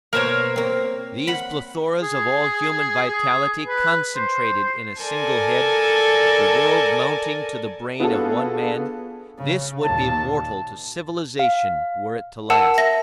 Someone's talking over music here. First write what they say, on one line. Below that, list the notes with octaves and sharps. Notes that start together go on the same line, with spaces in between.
These plethoras of all human vitality concentrated in a single head; the world mounting to the brain of one man,--this would be mortal to civilization were it to last.
B2 A#3 A#4 C5 C#5
A#3 C4
F#5 B5
G#4
G#4
B4
C5
A4 A#4 D5 G#5 A5
B3 D4 F4 F#4 G#4 A4
C#3
D#2 A#2 A5
F5
A#4 F#5 A5 E6
E5 A#6